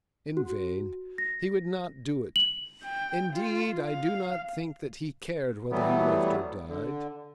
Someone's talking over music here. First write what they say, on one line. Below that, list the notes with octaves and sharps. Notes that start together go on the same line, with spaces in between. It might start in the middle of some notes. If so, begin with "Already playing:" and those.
In vain; he would not do it, indeed I do not think that he cared whether he lived or died.
F#4
A#6
F#7
G5
F4
F5
E3 F#3 G3 A3 B3
D3